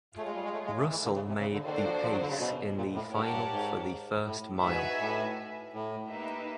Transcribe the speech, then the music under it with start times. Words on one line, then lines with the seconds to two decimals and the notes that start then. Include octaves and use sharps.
Russell made the pace in the final for the first mile.
0.17 A3 F4 G#4 C#5
0.26 G#3
0.35 G3
0.44 G#3
0.53 A3
0.66 G#3
0.79 A3
0.91 E3
1.04 D3
1.15 C#3
1.28 C3
1.40 C#3
1.53 D3
1.64 D#3 A#3 D4 F#4 A4 C5
1.84 F3
2.02 F3
2.11 F#3
2.21 D3
2.30 C#3
2.40 B2
2.77 A#2
2.94 A2
3.14 G#2 G4 A#4 C#5 F#5 A5
3.32 G2
3.51 G#2
4.25 A2
4.62 G#2 D#4 F#4 B4 E5 G#5
5.00 A2
5.73 A2
6.10 A#3 D#4 G4 B4 E5